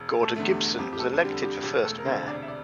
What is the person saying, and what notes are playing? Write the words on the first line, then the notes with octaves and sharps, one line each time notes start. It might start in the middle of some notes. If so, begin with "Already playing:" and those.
Gordon Gibson was elected the first mayor.
Already playing: E1
A3 A4
E2 D3 A3
G4
F2 G4
G4
A3 A4
A4
D3 G3 G4
A4
G4
E1 G4
A3 A4
A#4
D2 C4 C5
C3
D4 D5
E5
D5